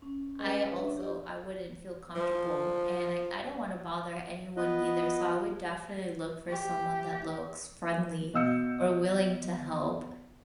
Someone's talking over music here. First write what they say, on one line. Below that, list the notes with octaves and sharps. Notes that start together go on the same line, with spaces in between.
I also I wouldn't feel comfortable, and I I don't wanna bother anyone either, so I would definitely look for someone that looks friendly or willing to help.
C#4
G#3 C#4 G#4 B4 D#5
B4 C#5 E5
D4
G4 D5
F3
B3 F4 B4 D#5
G4
B2 D#5 F5 E6 G6 C#7